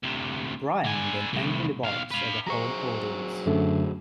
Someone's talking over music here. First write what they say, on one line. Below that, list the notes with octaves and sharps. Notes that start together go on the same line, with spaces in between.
Brian then angrily barks at the home audience.
D2 C3
D3 G#5
C2 A2
B1 F5
B4 F5
F#3 G#4 C5 A#5 C#6
F#2 D3 A3